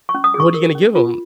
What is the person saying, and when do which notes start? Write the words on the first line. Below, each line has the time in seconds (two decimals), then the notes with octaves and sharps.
So what are you gonna give 'em?
0.09 C#6
0.14 C#4
0.24 D#6
0.34 G#4
0.40 C#6
0.54 A#4
0.75 C#4
0.95 F4